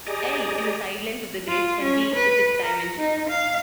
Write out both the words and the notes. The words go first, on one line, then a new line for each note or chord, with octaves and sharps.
"L" is the sidelength of the grid and "d" is its dimension.
G4 G#4 D5 D#5 G#5 A#5
F4
C#4
B4
A#4
D#4
F5